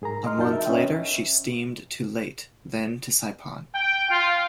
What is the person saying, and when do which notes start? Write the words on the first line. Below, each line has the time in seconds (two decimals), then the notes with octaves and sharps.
A month later she steamed to Leyte, then to Saipan.
0.02 G#2 G#4 A#4 A#5
0.26 D#5 C6 F6
0.38 F#2 D#4 F#4 A#4 A5 G6
0.53 A#4 E5
0.66 C#4 B4 D#5 E5 G5
3.75 G5
4.10 F4